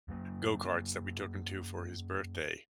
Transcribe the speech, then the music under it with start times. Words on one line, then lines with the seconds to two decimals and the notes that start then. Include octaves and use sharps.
go-karts that we took him to for his birthday.
0.08 F#2 F#3 A#3